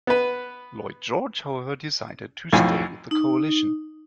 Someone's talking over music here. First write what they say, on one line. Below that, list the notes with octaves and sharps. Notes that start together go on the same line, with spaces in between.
Lloyd George, however, decided to stay with the Coalition.
B3 B4
B1 F2 A2 F4 F5 G#5
D#4